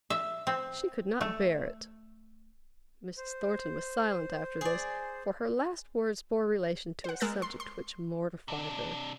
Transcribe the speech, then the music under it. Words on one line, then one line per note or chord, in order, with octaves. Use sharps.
She could not bear it.' Mrs. Thornton was silent after this; for her last words bore relation to a subject which mortified her.
E5
C4
A3
C5
G#4 D5
C5 F#5
G#3 A#4 E6 F#6 A6
C6
C6
C3 D4